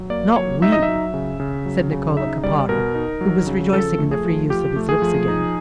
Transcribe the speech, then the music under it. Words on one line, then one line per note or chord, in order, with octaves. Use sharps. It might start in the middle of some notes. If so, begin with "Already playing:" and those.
"Not we," said Niccolo Caparra, who was rejoicing in the free use of his lips again.
Already playing: F#3
A#3 D5
F#3 C#5
D#4 E5
D#5
E5
F#3
C#3
C#3
F#3
C#3
D#4 E5
G3 D5
B2 A#4
D#4
F#3
C#3
F3 A4
A3
G#4
F3
F4 G4
A3
G#4
F3
D#4